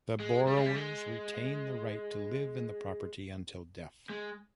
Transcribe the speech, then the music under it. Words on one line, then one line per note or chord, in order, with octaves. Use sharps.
The borrowers retain the right to live in the property until death.
G#3
G3
G#3
G3
G#3
G#3